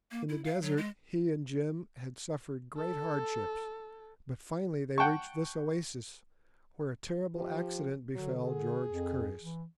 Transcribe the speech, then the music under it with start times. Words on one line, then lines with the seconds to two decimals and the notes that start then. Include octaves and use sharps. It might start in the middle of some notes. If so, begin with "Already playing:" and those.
In the desert he and Jim had suffered great hardships, but finally they reached this oasis, where a terrible accident befell George Curtis.
0.11 A#3
0.29 E4
0.45 F5
0.62 F#3
0.77 G#3
2.77 A4
4.98 F#5 G5 A5 C#6
7.35 F3 G4
8.15 D3 F#3
8.44 G#4
8.88 F2
9.40 E3